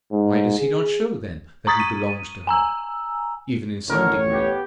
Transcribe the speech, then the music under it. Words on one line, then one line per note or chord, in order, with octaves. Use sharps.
Why does he not show, then, that he belonged to her, even in some degree?
G#2
G#4
A#5 C#6 D#6 G#6 A6 B6
D#7
G#5 A#5 E6
A1 D2 F#3 A#4 C#5
B3 G4